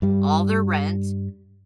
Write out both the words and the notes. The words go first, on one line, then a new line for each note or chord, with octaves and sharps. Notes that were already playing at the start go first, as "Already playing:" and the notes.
all their rent,
G2 G3